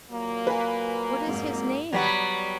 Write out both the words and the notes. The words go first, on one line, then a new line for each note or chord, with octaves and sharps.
"What is his name?"
A#2 F#3 A#3
B4 G#5
F2 G#2
F#3 G3 B3 D5